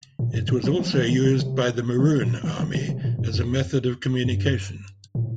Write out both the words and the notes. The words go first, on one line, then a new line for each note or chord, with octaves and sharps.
It was also used by the Maroon army as a method of communication.
A2
G2
A2
F3
F3
D#3
D3
C3
C3
D#3
A#2
D#3
D3
C3
C3
A2
G2
F2
G2
A2